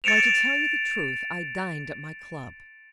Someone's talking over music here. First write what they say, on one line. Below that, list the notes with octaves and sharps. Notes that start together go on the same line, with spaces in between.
'Why, to tell you the truth, I dined at my club.
A6 C#7 D7 E7 F7